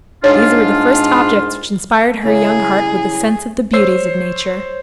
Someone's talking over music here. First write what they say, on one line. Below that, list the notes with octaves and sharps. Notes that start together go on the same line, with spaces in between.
These were the first objects which inspired her young heart with a sense of the beauties of nature.
G#2 D4 F4 C#5
C#3 E4 G#4 A#5
C5 C#5 E6 C7